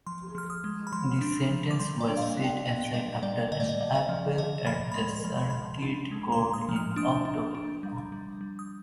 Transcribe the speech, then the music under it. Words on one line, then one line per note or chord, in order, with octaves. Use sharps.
This sentence was set aside after an appeal at the circuit court in October.
F3 C6
F3 F6
D#6
G#3
B5
F3 C6
D4
F3
D6
G3 C6
D5
D4
F5
D#5
B3
G5
B3 D#5
G3 D#5
G3 D5
D3 D#5
D5
D#5
D3
D#5
F3
D3 D#5
F3 B5
B5
G#3 C6
F3 B5
C6
F3 B5
D4
G#3
C6
G#3
D#6
F3
F6
D4 D#6
D4
D4
G3
G3
G3
D#6